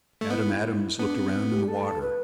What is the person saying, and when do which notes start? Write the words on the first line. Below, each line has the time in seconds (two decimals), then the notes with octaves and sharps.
Adam Adams looked around in the water.
0.21 A3
0.30 B3 E4
0.99 B3 D4
1.16 C4
1.33 C4
1.51 G4
1.68 A4
2.01 B4